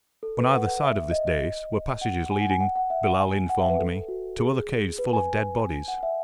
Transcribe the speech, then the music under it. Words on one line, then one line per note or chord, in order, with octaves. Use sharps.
On either side of this dais were passages leading, Billali informed me, to other caves full of dead bodies.
A4
B4
F#5
F#5
E5
D#5
D#5
F#5
G#5
F#5
G#5
F#5
F#5
E5
F#5
G#5
F#5
E5
B4
A4
F#4
G#4
B4
G#5
F#5
E5